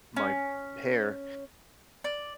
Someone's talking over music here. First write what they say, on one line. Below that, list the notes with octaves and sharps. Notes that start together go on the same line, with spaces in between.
my hair,
C#4
D5